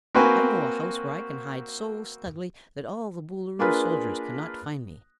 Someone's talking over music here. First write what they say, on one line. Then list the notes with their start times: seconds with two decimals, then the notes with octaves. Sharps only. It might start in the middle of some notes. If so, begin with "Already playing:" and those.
"I know a house where I can hide so snugly that all the Boolooroo's soldiers cannot find me."
0.15 A#3 C4 F#4 B4 G5 G#5
3.59 A#3 D4 F4 G#4 A#4 B4